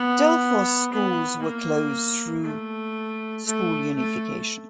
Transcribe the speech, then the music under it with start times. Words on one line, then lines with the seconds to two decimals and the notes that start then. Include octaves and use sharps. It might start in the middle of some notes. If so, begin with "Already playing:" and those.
Delphos schools were closed through school unification.
Already playing: B3
0.92 B3
1.42 A#3
2.43 A3
3.46 A3
3.96 A3